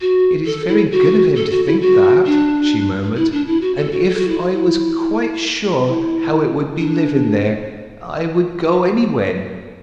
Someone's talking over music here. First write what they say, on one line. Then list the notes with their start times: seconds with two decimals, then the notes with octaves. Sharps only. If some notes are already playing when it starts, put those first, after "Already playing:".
"It is very good of him to think that," she murmured; "and if I was quite sure how it would be living there, I would go any-when."
0.01 F#4
0.46 A4
0.68 E4
0.92 F#4
1.36 A4
1.51 F#4
1.67 E4
1.81 F#4
2.26 D4
3.17 E4
3.32 D4
3.47 E4
3.62 F#4
3.77 A4
3.92 F#4
4.07 A4
4.18 F#4
4.28 E4
4.38 F#4
4.53 E4
5.87 E4
6.77 D4